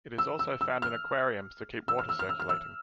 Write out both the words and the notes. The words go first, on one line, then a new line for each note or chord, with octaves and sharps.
It is also found in aquariums to keep water circulating.
E6
E6
E6
F6
E6
F6
E6
F6
E6
F6
E6